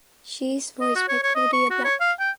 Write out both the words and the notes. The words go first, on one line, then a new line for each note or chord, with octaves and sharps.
She is voiced by Claudia Black.
D#5
F#4
C#5
C#5
D#5
C#6
F#4
C#5
F5
G5